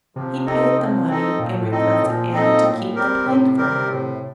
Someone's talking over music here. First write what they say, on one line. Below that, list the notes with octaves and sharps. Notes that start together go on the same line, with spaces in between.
He paid the money, and requested Anna to keep the plate for him.
C3 F3
C4 D#4 A4 D#5
F3
C4 D#4 A4 D#5
A#2 F3
A2
C4 D#4 A4 D#5
A2
A#2 F3
C4 D#4 A4 D#5
A2
G3 C4 G4 A#4
A2 C3
G3 C4 G4 A#4
A2